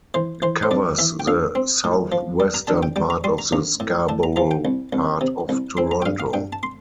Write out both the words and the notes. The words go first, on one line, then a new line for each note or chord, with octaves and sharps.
It covers the southwestern part of the Scarborough part of Toronto.
E3 C5
E3 C5
C5
F2 D5
E3 E5
G5
A#1 F5
C4
A2
F3
G3
A#5
D3 A5
G5
G3 G5
A#5
G3 C6
A#5
A#1 A#5
A2
A2 A5
A#5
F3 A#5
G5
C2
C2
C3
C2
C4 C6
A#5
G5
G2 F5
F5
G2 G5
A5
C6